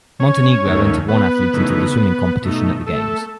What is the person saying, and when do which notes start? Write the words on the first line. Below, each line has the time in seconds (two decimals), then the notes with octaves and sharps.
Montenegro entered one athlete into the swimming competition at the games.
0.20 C#4 C#5
0.65 D#2 D#3 A3 C#4
1.08 B3 B4
1.53 C#3 E3 A3 D#4
2.42 B2 A3 D#4
2.86 A3 A4